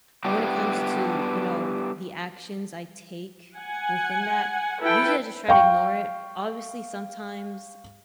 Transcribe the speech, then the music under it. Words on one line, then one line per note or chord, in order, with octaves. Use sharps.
But when it comes to, you know, the actions I take within that, usually I just try to ignore it. Obviously, sometimes,
G3 B3 D4 E4 G4
F#5 G#5
E4 A4 B4 G5
F5 G5 C#6